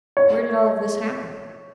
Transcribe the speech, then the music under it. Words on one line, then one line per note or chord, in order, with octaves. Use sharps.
"Where did all of this happen?"
C#5